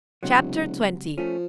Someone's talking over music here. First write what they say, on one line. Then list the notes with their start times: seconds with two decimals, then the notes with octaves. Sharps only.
Chapter XX.
0.23 E1 C#2 C3 F#3
1.18 F3 A3 C#4